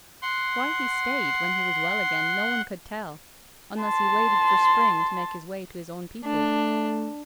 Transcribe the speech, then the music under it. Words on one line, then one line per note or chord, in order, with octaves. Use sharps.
Why he stayed when he was well again, no one could tell, unless he waited for spring to make his way to his own people.
F#5 C6
A5 C6
A3 D4